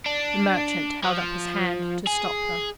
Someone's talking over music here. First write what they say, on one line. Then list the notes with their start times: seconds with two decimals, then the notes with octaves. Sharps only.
The merchant held up his hand to stop her.
0.06 D4
1.04 F3
2.07 G#4